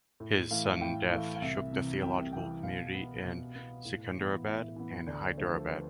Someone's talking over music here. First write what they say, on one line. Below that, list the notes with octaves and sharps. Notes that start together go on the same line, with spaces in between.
His sudden death shook the theological community in Secunderabad and Hyderabad.
A2
E3 A3 F5
F5
A2 G5
E3 A3 F5
F5
C2 E5
C3 E3
C2 G5
C3 E3 G5
B2 F5
B3
B2
B3
A2
E3 B3
A2 E5
E3 B3
D2 D5
D3 F3 A3 C5
A4
B4